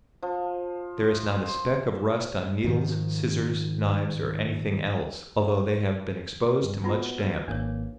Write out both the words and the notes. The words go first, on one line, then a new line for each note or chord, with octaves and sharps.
There is not a speck of rust on needles, scissors, knives, or anything else, although they have been exposed to much damp.
F3
C5
G#2 D#3 F3
G2
B3 D#4 F4 F#4 A#5
B4
G#1 A#3 D4 C#5